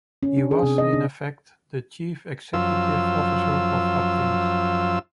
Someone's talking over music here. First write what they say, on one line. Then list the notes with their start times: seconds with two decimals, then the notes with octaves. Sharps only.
He was, in effect, the chief executive officer of Athens.
0.23 C#4
0.37 D4
0.51 G#4
0.63 C3
0.78 D#5
0.93 D4
2.54 F#2 F3 F4 E6